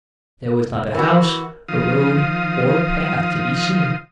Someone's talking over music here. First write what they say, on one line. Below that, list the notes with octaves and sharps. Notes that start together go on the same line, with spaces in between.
There was not a house, a road, or a path to be seen.
E3 F#4 A#4
D#3 F3 F5 D#6